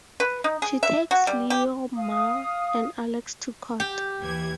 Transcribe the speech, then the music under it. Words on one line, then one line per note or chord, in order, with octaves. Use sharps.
She takes Leo Ma and Alex to court.
B4
D#4
G#4
E5
F#4
G3
G4
F5 D#6
G4
D#2 E3 G#6